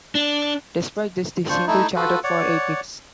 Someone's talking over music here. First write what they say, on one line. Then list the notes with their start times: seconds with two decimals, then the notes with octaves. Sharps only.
Despite this, the single charted for eight weeks.
0.15 D4
1.49 D4 F4 C5 C#6
1.67 A3 D#4 E4
1.96 F4 F#4 A4 B4
2.24 C#5 D5 F#5